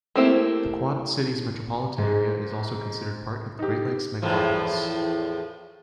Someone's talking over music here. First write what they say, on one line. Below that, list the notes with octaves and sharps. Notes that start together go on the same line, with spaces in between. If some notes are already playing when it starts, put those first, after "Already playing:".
The Quad Cities Metropolitan Area is also considered part of the Great Lakes Megalopolis.
A3 A#3 C4 E4 G4
G#2 G#3
D#4 G4
E2 A2 F3